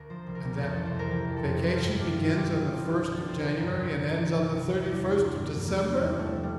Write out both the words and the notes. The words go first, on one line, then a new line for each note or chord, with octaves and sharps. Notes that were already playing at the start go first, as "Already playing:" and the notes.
"And that vacation begins on the first of January and ends on the thirty-first of December?"
Already playing: D2 A#4
F3 C5
C2
A#4
C2
A#4
F2 A4
E3 A4
C5
F2 A#4
E3 G4
F2
A4
F2
F3 G4
G2 F4
E4
G2 D4
G2 F4
E3 F4
G4
G2
G4
F3 F4
C2 F4
G4
C2
F3 A4
F2 C5
A#4
F2
G2
F3
A#4
G2
F3 G4
C2
F4
C2
E2 E4
E3
D4
E2
F3 C4
G2
A#3
G2
E2 A#3
E3
G3
E2
F3 A3
G3